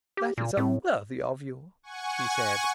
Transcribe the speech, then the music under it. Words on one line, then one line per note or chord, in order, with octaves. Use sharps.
"That is unworthy of you," she said.
G4
A#2
A2 C4
F#5 G#5 C#6